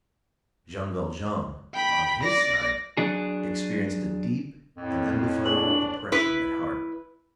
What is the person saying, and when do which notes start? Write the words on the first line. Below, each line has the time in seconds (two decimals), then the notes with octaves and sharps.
Jean Valjean, on his side, experienced a deep and undefinable oppression at heart.
1.74 G5 B5
2.23 D5 A#6
2.97 F#3 D4 G#4
4.77 F2 A2
5.45 D4 G#4 B4 C#5 F#7
6.12 E4 B4